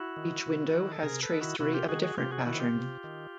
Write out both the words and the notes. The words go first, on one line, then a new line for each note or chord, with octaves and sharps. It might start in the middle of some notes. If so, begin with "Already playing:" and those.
Each window has tracery of a different pattern.
Already playing: E4 F#4
D#3
C3
D#3
A4
C3 G#4 A#4
A4 B4
D#3
E4 F#4
C3 E4 F#4
F4 G4
D#3 F#4 G#4
F#4 G#4
C3 F4 G4
F#4 G#4
D#3 E4 F#4
F4 G4
C3
D#3